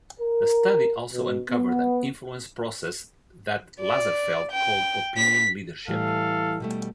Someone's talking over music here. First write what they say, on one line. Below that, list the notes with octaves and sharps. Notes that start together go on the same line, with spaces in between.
The study also uncovered an influence process that Lazarsfeld called opinion leadership.
A#4
B2
B3
D5
G5
B6
A2 E3 G3 A4 F5
B2 G3 A3